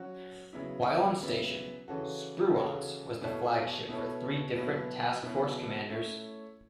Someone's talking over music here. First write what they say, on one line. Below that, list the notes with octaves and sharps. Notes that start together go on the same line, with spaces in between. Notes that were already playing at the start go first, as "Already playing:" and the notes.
While on station, "Spruance" was the flagship for three different task force commanders.
Already playing: F#3 C#4 F#4
C#3 F#3 B3 E4
C#3 F#3 B3 E4
C#3 E3 C#4 F#4 A4
C#3 E3 C#4 F#4 A4
B2 B3 E4 A4 C#5
B2 B3 E4 A4 C#5
B2 F#3 B3 E4
B2 F#3 B3 E4
A3 C#4 E4 C#5